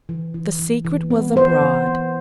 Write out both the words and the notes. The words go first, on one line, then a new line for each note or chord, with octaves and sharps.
The secret was abroad.
E3
E3
E3
E3
B3
B3 C5
E3
B3